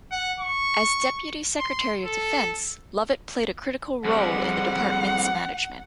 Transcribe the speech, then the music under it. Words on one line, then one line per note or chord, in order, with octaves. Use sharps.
As deputy secretary of defense, Lovett played a critical role in the department's management.
F#5
C#6
C6
A4
F2 G3 G#3 F#5